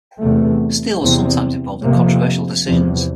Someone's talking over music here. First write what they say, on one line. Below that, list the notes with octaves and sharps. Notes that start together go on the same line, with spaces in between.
Steele was sometimes involved in controversial decisions.
E2 C3 A3
E2 C3 C4
F2 C3 A#3
E2 C3 F3